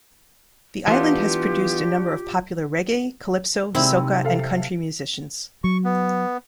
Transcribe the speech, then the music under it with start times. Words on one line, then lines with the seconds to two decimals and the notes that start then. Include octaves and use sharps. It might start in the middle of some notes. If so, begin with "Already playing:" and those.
The island has produced a number of popular reggae, calypso, soca and country musicians.
0.88 E3 B3 D4 F4 G4 F5 C6
3.75 C3 D#3 G#3 C4 E4
4.25 A4 E5 F5
5.64 F#3 C#6
5.84 B3